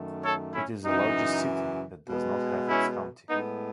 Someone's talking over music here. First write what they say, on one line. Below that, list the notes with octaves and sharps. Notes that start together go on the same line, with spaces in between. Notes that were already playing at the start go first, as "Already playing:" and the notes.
It is the largest city that does not have its county.
Already playing: F#2 D#3 A3
A4 C#5
C#4 E4
F#2 C#3 E3 D#4
B2 G#3 B3
C#4 E4
A2 G#3 B3 D#4